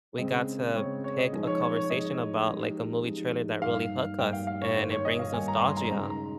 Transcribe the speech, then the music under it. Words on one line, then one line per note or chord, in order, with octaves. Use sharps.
we got to pick a conversation about, like, a movie trailer that really hook us, and it brings nostalgia,
C#3 G#3 C4 D#5
C#3 G#3 C4 C#5
C#5
D#5
F3 G#3 D#4 G#4
C#5
C#5
C#5
F3 G#3 D#4 G#4 D#5
F3 G#3 D#4 G4
F3 G#3 D#4 G4
G2 G3 A#3 D#4 F5
G2 G3 A#3 D#4 G5
F5
F5
C#5
G2 D#3 G3 A#3 D#4 C5
C#5
D#5
F5
G2 D#3 G3 A#3 D#4 G#5
A#5
C6
A#5
C#3 G#3 D#4 G#4 A#5
A#5